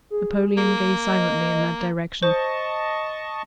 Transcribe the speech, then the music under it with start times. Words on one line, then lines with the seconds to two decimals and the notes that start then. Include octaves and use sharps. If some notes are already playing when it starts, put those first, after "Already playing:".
Napoleon gazed silently in that direction.
0.10 G#4
0.58 A#3
1.06 D#5
2.23 C5 D#5 A5 C#6